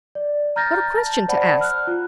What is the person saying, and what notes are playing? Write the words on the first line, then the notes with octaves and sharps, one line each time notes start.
What a question to ask!
D5
A#5 F6 G6 A6 A#6
A5
C5 D5 F#5 A5 B5
F6 F#6
F4